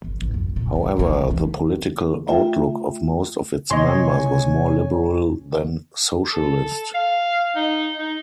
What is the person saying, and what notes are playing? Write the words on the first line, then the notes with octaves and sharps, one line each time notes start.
However, the political outlook of most of its members was more liberal than socialist.
G1
A1
F#2
A#2
E3
A#3
C2
E3
A3 F4 E5 G5
C3 A3 C#5 D#5 G#5 C6
A4
F5
D#4
D#4